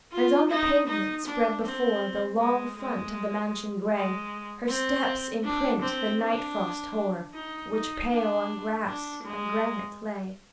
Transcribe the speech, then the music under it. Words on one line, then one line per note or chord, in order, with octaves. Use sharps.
And on the pavement spread before The long front of the mansion grey, Her steps imprint the night-frost hoar, Which pale on grass and granite lay.
F4
D#4
D#4
D4
C4
G#3
G#3
G#3
C4
D4
C4
D4
D#4
D#4
D4
D4
G#3